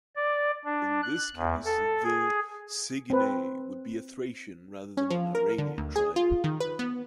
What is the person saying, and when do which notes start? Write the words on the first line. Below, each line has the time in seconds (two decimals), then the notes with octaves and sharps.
In this case the Sigynnae would be a Thracian rather than an Iranian tribe.
0.16 D5
0.65 D4
1.02 F#6
1.36 E2
1.65 A4
2.04 G#4
3.10 C4 B4
4.97 C#4
5.10 F3
5.35 A#4
5.58 D3
5.78 D2
5.96 G#4
6.16 F4
6.44 D#3
6.60 B4
6.79 B3